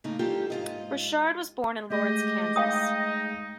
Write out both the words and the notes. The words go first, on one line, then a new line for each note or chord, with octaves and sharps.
Burchard was born in Lawrence, Kansas.
A2 C#3 A#3 D#4
G3 A#3 F4 G4 A4
G#2 F4 D#5
G#3 A3 G4 G#4 D#5
D#4 F5 G5 D#6